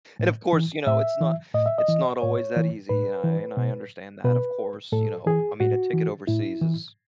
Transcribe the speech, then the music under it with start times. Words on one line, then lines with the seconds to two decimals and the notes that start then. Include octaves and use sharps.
And of course, you know, it's not it's not always that easy, and I and I understand that, of course, you know? I mean, a ticket overseas is
0.19 A2
0.53 E3
0.87 A2 E5
1.21 E3
1.54 A2 D#5
1.66 E5
1.78 D#5
1.88 E3
2.22 A2 C#5
2.56 E3
2.89 A2 B4
3.24 E3
3.57 B2
4.25 B2 B4
4.93 A2 A4
5.26 E3 G#4
5.60 A2 F#4
5.94 E3
6.27 A2 E4
6.61 E3